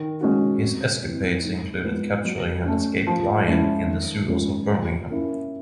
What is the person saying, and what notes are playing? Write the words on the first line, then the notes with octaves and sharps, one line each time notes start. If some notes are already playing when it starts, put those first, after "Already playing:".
His escapades included capturing an escaped lion in the sewers of Birmingham.
Already playing: D#3
G#3 C#4 F#4
F2
C3 E3
G#2
F3 G#3 B3
F#3
A3 C#4
F3
G#3 C#4 E4
D#3
G#3 C#4 F4
F3
A#3 C#4 E4